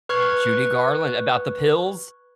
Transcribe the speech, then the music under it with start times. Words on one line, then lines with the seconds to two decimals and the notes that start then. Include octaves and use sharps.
Judy Garland, about the pills?
0.09 B4 C#6 F6 F#6 G#6